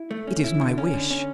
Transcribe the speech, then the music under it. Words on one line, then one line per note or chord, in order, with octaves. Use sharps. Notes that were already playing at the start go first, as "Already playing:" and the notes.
It is my wish.'
Already playing: E4
A3
C#4
E4
D3
C#4
D3
C#4